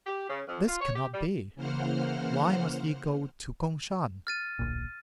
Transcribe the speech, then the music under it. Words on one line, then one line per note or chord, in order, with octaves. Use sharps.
This cannot be! why must ye go to Kung-shan?
G4
C#3
F2
F4
C#5
G4
G3
C#3 E3 A#3 C5 F#5 F6
F6 A6 D#7
D1 A#1 A#2